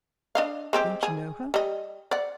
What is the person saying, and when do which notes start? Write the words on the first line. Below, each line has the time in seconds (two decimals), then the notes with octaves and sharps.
"Don't you know her?"
0.35 D4 D#5 F5
0.73 G#3 C4 G4
1.03 G#4
1.54 G3 D#5
2.11 D5 F#5